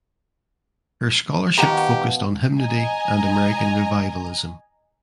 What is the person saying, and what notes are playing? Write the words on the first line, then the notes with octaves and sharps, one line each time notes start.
Her scholarship focused on hymnody and American revivalism.
B2 D#3 F3 G4 F#5 A#5
D#5 G#5 A#5